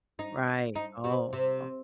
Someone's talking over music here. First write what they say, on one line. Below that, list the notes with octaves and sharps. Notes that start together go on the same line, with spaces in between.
Right oh, oh
D#4
D#4
C3
C3